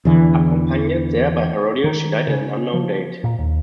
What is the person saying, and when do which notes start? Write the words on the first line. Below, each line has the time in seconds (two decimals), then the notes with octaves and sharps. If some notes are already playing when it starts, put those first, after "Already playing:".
Accompanied there by Herodias, he died at an unknown date.
0.05 E2 D3 E3
1.84 D#3
2.28 C#3
2.74 F3
3.24 A#2
3.38 D#2